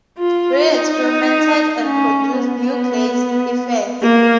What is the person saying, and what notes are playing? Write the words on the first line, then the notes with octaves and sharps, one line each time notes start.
Rie experimented and produced new glaze effects.
F4
D#4
C#4
B3
A#3